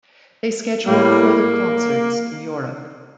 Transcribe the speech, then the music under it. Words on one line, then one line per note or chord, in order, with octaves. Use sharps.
They scheduled further concerts in Europe.
A2 G3 A#3